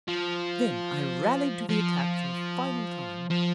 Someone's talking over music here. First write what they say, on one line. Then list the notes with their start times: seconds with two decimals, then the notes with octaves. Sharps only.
Then I rallied to the attack for a final time.
0.08 F3
1.69 F3
3.30 F3